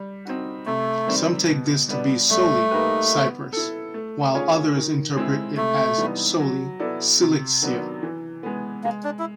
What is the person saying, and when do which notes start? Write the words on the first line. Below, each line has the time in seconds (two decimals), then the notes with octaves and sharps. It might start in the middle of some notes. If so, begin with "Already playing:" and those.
Some take this to be Soli, Cyprus, while others interpret it as Soli, Cilicia.
Already playing: G3
0.25 C4 D#4 F#4
0.66 C3 A3
1.07 D#3 G3 C4
1.48 B2
1.89 G3 B3 D4
2.30 G3 A3
2.71 A#3 D#4 G4 B4
3.12 B3
3.53 E4 A4
3.94 A3
4.34 C#4 F4 G#4 C#5
4.75 D#3
5.17 G#3 C4 E4
5.57 C3 A3
5.98 E3 G3 B3 D#4
6.39 F#3
6.80 B3 E4 A4 D5
7.21 C3
7.62 D#3 F#3 B3 D4
8.03 E3
8.43 G#3 B3
8.84 G#3 A#3
9.04 D4
9.19 E4